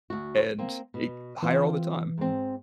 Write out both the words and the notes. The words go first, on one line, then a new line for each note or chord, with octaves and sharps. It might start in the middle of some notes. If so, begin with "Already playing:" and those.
and it higher all the time.
D2 F#4
A#3 C4
B2
E3 C4 F4
G#2 C4